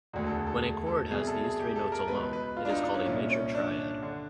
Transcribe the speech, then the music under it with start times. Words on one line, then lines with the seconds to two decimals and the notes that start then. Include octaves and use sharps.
When a chord has these three notes alone, it is called a major triad.
0.13 E1 D2 D3 F#4
0.26 A4
0.31 G#4
0.47 A4
0.86 A4
1.11 C2 B2 G#4
1.27 A4
1.44 G#4
1.60 G4
1.76 A4
1.92 A#4
2.08 C#2 B2 B4
2.33 B4
2.57 F4
2.65 D4
2.70 D#4
2.82 D4
2.94 C#4
3.06 C2 A#2 C#4
3.30 C#4
3.54 D4
4.02 D3